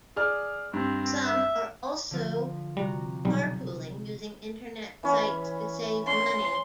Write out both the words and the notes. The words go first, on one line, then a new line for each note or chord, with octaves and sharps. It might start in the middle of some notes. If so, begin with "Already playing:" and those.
Some are also carpooling using Internet sites to save money.
G#4 D5 F6
G2 C4
E5
D3 F3
C3 G3 F#4 A#5
B1 G3
E3 C#4
C#4 C6